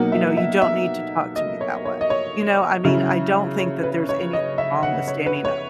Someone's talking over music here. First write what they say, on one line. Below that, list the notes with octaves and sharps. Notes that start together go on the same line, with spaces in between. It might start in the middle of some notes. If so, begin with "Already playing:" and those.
you know, you don't need to talk to me that way." You know? I mean, I don't think that there's anything wrong with standing up.
Already playing: B2 F#3 A#3 D#4 F#5
E5
E5
E5
D#5
C#5
C#5
D#5
C#5
C#3 F#3 C#4 E4
C#5
B4
C#5
D#5
E5
F#5
C#5
B4
C#5